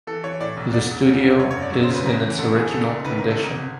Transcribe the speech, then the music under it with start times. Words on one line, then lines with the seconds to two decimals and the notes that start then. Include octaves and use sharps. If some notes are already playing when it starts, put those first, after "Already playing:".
The studio is in its original condition.
0.07 E3 A4
0.23 E3 C#5
0.40 A2 D5
0.57 B1
0.73 E1 D5
0.90 E1
1.07 C#3
1.23 E1
1.39 F#2 C#5
1.51 C#5
1.56 F#1
1.62 D5
1.72 F#2 C#5
1.84 C5
1.89 C#3
1.95 B4
2.06 G#1 A#4
2.22 E3
2.38 G#2 A4
2.55 G#2 G#4
2.72 C#2 A4
2.89 C#2
3.05 D#3 B4
3.18 C#2 A#4
3.31 A4
3.38 G#1 A#4
3.54 G#1